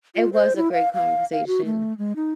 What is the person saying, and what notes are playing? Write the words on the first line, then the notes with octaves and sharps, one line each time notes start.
It was a great conversation.
F4
C5
E4
F5
F5
F5
F#4
A3
G#3
D#4